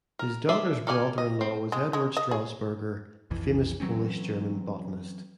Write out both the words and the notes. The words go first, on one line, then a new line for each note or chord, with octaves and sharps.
His daughter's brother-in-law was Eduard Strasburger, the famous Polish-German botanist.
A#4
G#4 A4 D5 E5
A4 A#4 D5 F#5 G#5
D#5
C4
G#3
G#3
D#5
G#4
B1 F2 E3
E3 F#3 C4 C#4